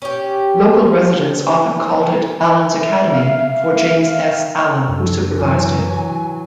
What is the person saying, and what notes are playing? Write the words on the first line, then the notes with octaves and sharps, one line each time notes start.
Local residents often called it Allen's Academy, for James S. Allen, who supervised it.
C#4 G4
E5
F5
F#2 D4 A4
E3 F#3 G#5